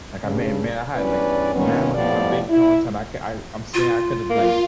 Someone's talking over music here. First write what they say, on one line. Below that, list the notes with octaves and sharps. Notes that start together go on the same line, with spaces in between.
like, I may may have, like, mad money in my bank account one time, I ca I I'm saying I could have, like,
G2 C#3
E2 G2 C#4 B4 D5
G2 A#2 D#3 B3 C#4
F2 A2 F3 B3 G4 D5
E4
F4
A#3 F4